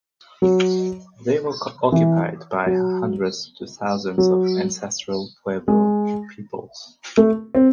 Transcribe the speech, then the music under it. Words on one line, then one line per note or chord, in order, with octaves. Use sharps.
They were occupied by hundreds to thousands of Ancestral Pueblo peoples.
F#3
E3
F#3
F#3
G#3
A3
C4